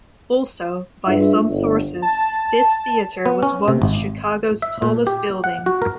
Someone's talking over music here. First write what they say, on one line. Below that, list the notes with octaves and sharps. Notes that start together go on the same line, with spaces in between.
Also, by some sources, this theater was once Chicago's tallest building.
G2 F4 G#4 E5
G1
A5
B3
C#4
C3
G#1
E5
A#2
G4
F#5
F#4
A#4